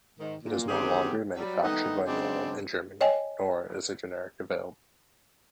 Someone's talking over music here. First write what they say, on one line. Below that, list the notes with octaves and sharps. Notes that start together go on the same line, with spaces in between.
It is no longer manufactured by Knoll in Germany, nor is a generic available.
G#2 D#3
A#2
D3 D#3 B3 C4 G4 G#4
F#3 G3
D#3 G3 A3 B3 D#4
C#3 F#3 G#3 C4 D4
C#5 D#5 G5 G#5